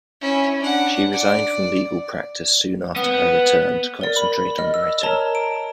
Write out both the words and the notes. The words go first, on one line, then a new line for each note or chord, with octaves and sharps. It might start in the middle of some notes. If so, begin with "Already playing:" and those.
She resigned from legal practice soon after her return, to concentrate on writing.
C#4 E4
D4 F#5
D5
B3
A#4 D5
B5
D#5 F6
E6
A#4 C#5 A5 A#5
D7